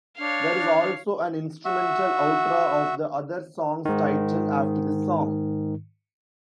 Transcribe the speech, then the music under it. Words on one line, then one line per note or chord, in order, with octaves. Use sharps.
There is also an instrumental outro of the other song's title after this song.
D4 C#5 F5
F#4 E5
G#2 D#3